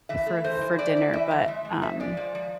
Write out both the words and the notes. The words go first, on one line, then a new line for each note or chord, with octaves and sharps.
for for dinner, but, um,
E3 E5
A3
E3 C5
E3
E3 D5
E4
E3 E5
E3
G#3 E5
G#3
F3 E5
G#3 D5
F3
F3